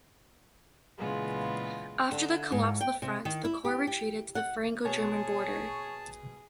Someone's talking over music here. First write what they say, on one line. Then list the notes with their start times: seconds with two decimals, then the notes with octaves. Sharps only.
After the collapse of the front, the corps retreated to the Franco-German border.
0.97 A#2 C#3 E3 G#3 B3 F4
2.12 D3
2.52 G#2
2.81 G5
3.02 C3
3.25 D#3
3.45 E4
3.65 G4
3.87 G4
4.35 F#5
4.85 B2 G#4 C#5 G#5 A5